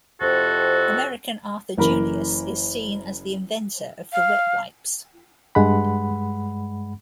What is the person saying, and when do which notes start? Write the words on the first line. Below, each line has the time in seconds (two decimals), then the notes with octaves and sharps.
American Arthur Julius is seen as the inventor of the wet wipes.
0.21 F2 C3 F#4 A4
1.77 F#1 E3 A#4 B5
4.13 F5
5.55 G2 G#3 F#5 B5